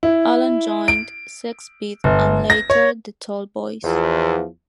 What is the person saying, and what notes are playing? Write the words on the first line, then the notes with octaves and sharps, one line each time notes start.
Alan joined Sexbeat and later the Tall Boys.
E4
D7
G1
A#6
C#5
E2 F3